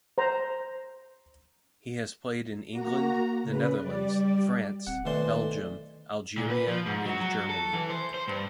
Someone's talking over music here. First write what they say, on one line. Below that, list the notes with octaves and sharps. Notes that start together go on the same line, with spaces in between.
He has played in England, the Netherlands, France, Belgium, Algeria and Germany.
C5 A#5
A#3 F#4 A#5
C#3 B4
G3 D5
D#1 C4 F#5
B1 D#3 E3 A3 A4 C5 D5
A#2
B4
F3
G#2
F#3
F#3
A4
E3
C5
C5
G2